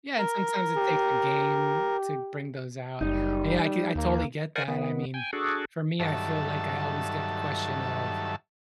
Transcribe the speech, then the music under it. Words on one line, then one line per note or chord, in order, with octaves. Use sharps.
Yeah, and sometimes it takes a game to bring those out. And yeah I c I totally get that, I mean, for me, I feel like I always get the question of,
A#4
G4
F#1 G3 D#4
D#2 A#3
A#4 C5 D5 F#5 G#5
D#3 B3
G5 G#5
D4 F#4 G#4 A4
G2 D#3 F#3 A4 E5 A5